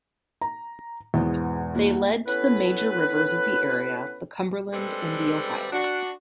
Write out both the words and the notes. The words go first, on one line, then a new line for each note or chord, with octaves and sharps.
They led to the major rivers of the area, the Cumberland and the Ohio.
A#5
E2 G#2 B2
A#3 E4 F#4
B3 C#4 E4 A4 B4
G3 G#3 C4 D4 A4 B4
D4 F#4